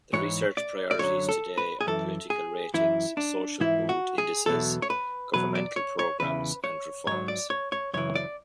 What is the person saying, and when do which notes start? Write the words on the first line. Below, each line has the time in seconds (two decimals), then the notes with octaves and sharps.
The research priorities today are political ratings, social mood indices, governmental programs, and reforms.
0.13 G#2 E3 C#5
0.57 D5
0.91 D5
0.99 F#2 D3 F#3 C#5
1.29 A4
1.58 B4
1.81 G#4
1.87 F#2 E3 A4
2.30 G#4
2.74 F#2 E3 E4
3.17 D4
3.60 G#2 E3 E4
3.89 F#4
4.18 G#4
4.46 E2 B2 F#3 A4
4.82 C#5
4.90 B4
5.34 E2 B2 F#3 B4
5.55 D5
5.76 C#5
5.99 C#5
6.20 E2 C#3 E3 B4
6.64 C#5
7.07 G#2 F#3 C#5
7.28 D5
7.50 C#5
7.72 C#5
7.94 F#2 C#3 E3 C#5
8.15 D5